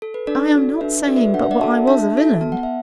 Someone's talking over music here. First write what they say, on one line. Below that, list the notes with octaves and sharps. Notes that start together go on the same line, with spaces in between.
I am not saying but what I was a villain.
A4
B4
D4 A4 D5
F#4 A4
D4 B4 E5
F#4 A4 D5
B4 E5
D4 F#5
E5
D5 F#5
F#4 A4 E5 A5
D4 E5 A5
F#4 A4
B3 A5
F#5
E5